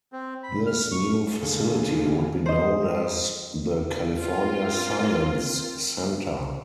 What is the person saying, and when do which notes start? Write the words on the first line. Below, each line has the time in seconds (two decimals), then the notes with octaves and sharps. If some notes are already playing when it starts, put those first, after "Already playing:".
This new facility would be known as the "California Science Center".
0.12 C4
0.43 B5
0.66 F6
0.92 C#6
1.41 D3 G#3 A3 G#4 A4 F5
2.46 C5 D#5
4.18 C4 F4 A#4